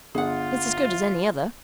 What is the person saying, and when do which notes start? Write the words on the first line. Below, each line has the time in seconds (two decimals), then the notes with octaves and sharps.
"It is as good as any other."
0.15 G1 F4 G#4 F#5